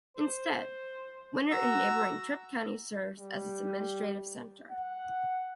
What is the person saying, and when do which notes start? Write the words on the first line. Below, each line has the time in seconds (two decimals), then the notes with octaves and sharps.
Instead, Winner in neighboring Tripp County serves as its administrative center.
0.16 C5
1.51 F#4 A#5 E6
3.18 G3
4.71 F#5